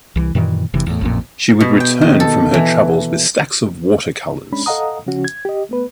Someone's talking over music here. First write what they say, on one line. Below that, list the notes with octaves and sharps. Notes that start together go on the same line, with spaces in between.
She would return from her travels with stacks of water colours.
C2 E3
F#2 A#2 D#3 E3
F1 C3 E3
E2 A2
A1 F2 A#2
B2
G5
D#3
A4
E3
G#3 C#4 D4 B5
A4 D#5 F5 F#5 A#5 D#6
C#3 F3 C#4 F#4
G#6
G4 D#5
A3 B3 B4